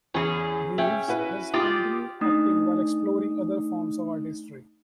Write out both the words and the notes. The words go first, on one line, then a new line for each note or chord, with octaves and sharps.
Reeves has continued acting while exploring other forms of artistry.
E2 C#4 G#4
C#4 E5 G5
E4 F#4 B4
F4 G4 D5 D6 D#6
A3 D4 D#4 D#6